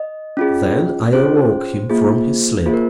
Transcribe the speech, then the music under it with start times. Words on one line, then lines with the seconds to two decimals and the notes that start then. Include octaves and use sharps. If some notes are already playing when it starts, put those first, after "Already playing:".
Then I awoke him from his sleep.
Already playing: D#5
0.37 C#4 F4 G#4
1.13 C#4 F4 G#4 C5
1.90 A#3 F4 G#4
2.66 A#3 F4 G#4 C5
2.73 A#4